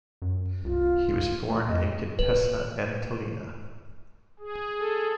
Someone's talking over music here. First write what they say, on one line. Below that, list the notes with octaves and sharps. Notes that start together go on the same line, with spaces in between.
He was born in Contessa Entellina.
F#2
C2 F4
A3
F2 D#5
B4
G#4
A4